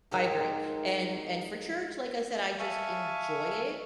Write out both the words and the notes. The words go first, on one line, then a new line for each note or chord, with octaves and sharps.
I agree. And and for church, like I said, I just enjoy it
G#2 G4 A#4 C5
E5 F5 G#5 A5 C#6